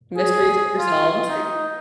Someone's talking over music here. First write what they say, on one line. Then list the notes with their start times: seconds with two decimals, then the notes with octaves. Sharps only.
Mysteries resolved.
0.16 G#4
0.78 F4
1.27 D#4